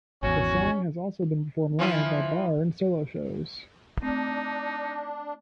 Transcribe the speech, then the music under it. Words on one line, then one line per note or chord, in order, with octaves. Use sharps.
The song has also been performed live by Barre in solo shows.
G#1 E2 C#4 F#4 G#5
E3 F3 E4
A3 C4 D4 D#4